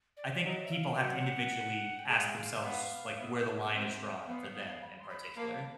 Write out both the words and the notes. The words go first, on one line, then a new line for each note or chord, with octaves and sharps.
I think people have to individually ask themselves, like, where the line is drawn for them in particular.
D5
F#3 D#5
E5
F5
F#3 F#5
G5
G#3 F#5
E5
F5
B3
B3 E5
C4
E5
B3 F5
B5
C6
B5
A#3 A5